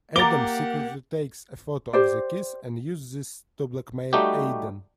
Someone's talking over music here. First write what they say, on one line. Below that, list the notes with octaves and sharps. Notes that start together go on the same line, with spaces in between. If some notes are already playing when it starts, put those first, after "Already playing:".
Adam secretly takes a photo of the kiss, and uses this to blackmail Aidan.
A#3 G4 F#5 A#5 D6 A6 G7
G4 C5 D5
G3 A3 D#4 F#4 G4